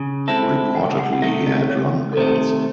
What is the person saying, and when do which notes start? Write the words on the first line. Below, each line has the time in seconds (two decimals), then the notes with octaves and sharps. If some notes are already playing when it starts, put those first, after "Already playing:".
Reportedly he had lung cancer.
Already playing: C#3
0.28 G#3 C4 E4 A4 E5
0.75 C#2 F#5
0.99 F#5
1.13 F#5
1.22 C3 D#3 A3 E5
1.47 D#5
1.70 C#2 C#5
2.13 A4
2.17 C3 D#3 A3 C5